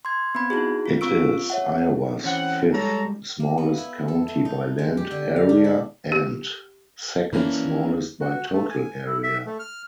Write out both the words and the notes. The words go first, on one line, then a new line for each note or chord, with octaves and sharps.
It is Iowa's fifth-smallest county by land area and second-smallest by total area.
C6 G#6
B3 C4 B5 G#6
D#4 E4 F#4 G#4
F4
C4 F4 C#6 E6 D7
C#5 E5 F#5
E3 C4 C#4 F#5
G3 G#3 A4 C#5 A#5
A#3
B3
E4
A4
A3
D#4
G#3
G4
D3
F5
D4
E4
G4
E3 A#3 C#4 D4 E4
F#4
A3
G#5
E4
E5
A3
F6